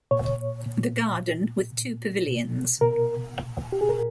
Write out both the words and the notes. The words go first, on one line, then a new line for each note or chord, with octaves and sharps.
The garden, with two pavilions.
A#2 C#5
A#2
A#2
A#2
B2
B2 A#4
A#2
G4
G#4
A#2 A#4